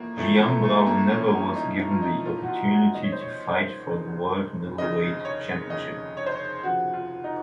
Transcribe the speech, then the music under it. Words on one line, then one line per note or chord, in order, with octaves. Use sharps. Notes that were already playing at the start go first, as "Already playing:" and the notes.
Giambra never was given the opportunity to fight for the world middleweight championship.
Already playing: A1 A2 F3 A#3
A1 A2 F3 A3
A3
A#3
A3
A3
A#3
A1 A2 F3 C#4
D#4
F4
A1 A2 F3 D#4
F4
F#4
F4
F#4
F1 D#2 C#3 D#5
C#5
C5
C#5
F1 D#2 C#3
F1 D#2 C#3 D#5
C#5
F1 D#2 C#3 D#5
C#5
C5
C#5
F1 D#2 C#3 F3 F#4
F4
D#4